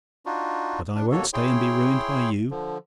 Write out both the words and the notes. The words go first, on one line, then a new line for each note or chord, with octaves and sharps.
But I won't stay and be ruined by you.
D4 D#4 F4 F#4
D4
D#2 B2 A#3 F#4 A4 C#5
E4 G#4 C#5 G5 C6
D3 F3